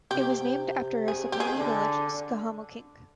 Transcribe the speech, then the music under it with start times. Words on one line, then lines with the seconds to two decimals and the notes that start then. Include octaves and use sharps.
It was named after a Saponi village, Schahamokink.
0.11 C3 G4
1.08 G#4
1.32 G4
1.40 G#4
1.56 D3